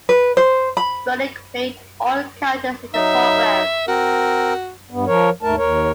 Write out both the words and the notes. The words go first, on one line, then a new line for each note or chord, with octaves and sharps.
Burdick played all characters in the program.
B4
C5
B5
F#3 D#4 E5
C4 F#4 A#4
G2 B3
F3 A#4 C#5
D#2 G#2 A3 A#4 A5
D#2 A#4 C#5